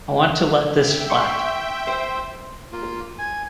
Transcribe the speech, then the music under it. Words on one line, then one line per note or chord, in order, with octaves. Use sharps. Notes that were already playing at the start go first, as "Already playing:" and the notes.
I want to let this flat.
E5 G5
C6 C#6
C5
A#3 F4
G#5